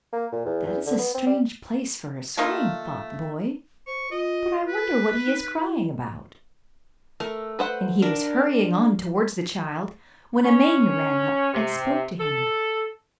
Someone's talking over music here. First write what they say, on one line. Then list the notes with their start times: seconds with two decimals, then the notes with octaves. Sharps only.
'That is a strange place for a swing,' thought the boy; 'but I wonder what he is crying about.' And he was hurrying on towards the child, when a maiden ran up and spoke to him.
0.13 A#3
0.32 A#2
0.45 E2
0.66 E2
0.86 D3
0.99 B3
1.14 C4
1.26 G3
2.37 A3 A#3 D#4 F4
3.87 C5 C#6
4.11 F4 D#5
4.67 B4
5.26 D#4
5.61 E4
7.20 A3 A#4
7.59 B4 C5 F#5
8.02 D4 A#4
10.45 C#4
11.54 C3
12.20 A4